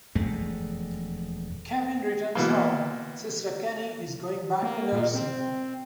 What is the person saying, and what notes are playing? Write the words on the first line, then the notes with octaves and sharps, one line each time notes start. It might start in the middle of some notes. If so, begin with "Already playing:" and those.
Kevin returns home, Sister Kenny is going back to nursing.
E1 F2 G#3 A3
B2 E3 A#3
A#3
A#2
C4